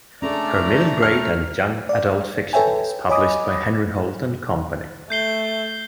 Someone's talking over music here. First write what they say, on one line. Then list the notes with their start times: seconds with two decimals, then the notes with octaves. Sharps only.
Her middle grade and young adult fiction is published by Henry Holt and Company.
0.22 A3 C#4 D4 G#4 A4 D5 A#5
1.02 F6
1.89 D5 F5
2.53 A4 B4 C#5 E5 G5 G#5
3.09 C#5 D#5 G#5 B5 D6 D#6
5.10 A3 G6 C7 G7